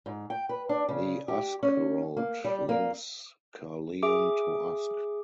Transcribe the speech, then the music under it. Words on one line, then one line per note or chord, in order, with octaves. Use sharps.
The Usk Road links Caerleon to Usk.
G#2
G5
B4
D4
C#3
G4
C#4
A#3
G3
A#3
G#4 E5 D6